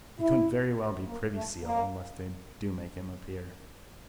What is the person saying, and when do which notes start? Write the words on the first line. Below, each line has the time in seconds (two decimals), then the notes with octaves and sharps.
He couldn't very well be Privy Seal, unless they do make him a peer.
0.19 E4
1.06 A#3
1.35 A3
1.63 A#3